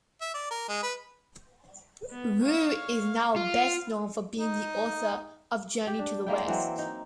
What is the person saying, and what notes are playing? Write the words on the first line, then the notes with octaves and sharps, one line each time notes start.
Wu is now best known for being the author of Journey to the West.
E5
D5
A#4
G#3
B4
B3
C#5 F5
F4 F5
D#4
G4
D4
G#3 A#3 E4 G5
E3 F#3 C4
D#4